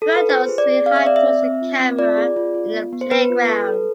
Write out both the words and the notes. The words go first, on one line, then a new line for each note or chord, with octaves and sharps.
Two adults swing high towards a camera in a playground.
A4
B4
F4 C5
G#4
D5
C4
G#4 F5
E5
C4 D5
E5
C4
C4
F4
C4
F4 D5
G#4
F4
F4
B3
B3
C5
B3 B4
F4
A4
A4